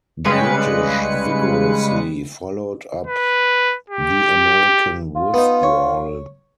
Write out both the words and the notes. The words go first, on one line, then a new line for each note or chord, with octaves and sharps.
The British vigorously followed up the American withdrawal.
C#3 G3 G#3 B4 C#7
B4
G4
F4
B3 D#4
C#5